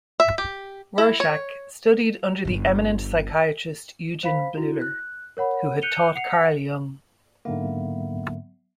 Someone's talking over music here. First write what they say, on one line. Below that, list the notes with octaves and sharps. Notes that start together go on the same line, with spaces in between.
Rorschach studied under the eminent psychiatrist Eugen Bleuler, who had taught Carl Jung.
E5
G4
E4
C#5
G1 C#3
C5 F5 B5 B6
E4 F#4
F#6
A#4 C#5 F#5 B5
F#6 G6 C#7 D#7 F7 G7
F#5 C7 C#7 F7
G#2 D3 F#3 A#3 B3 E5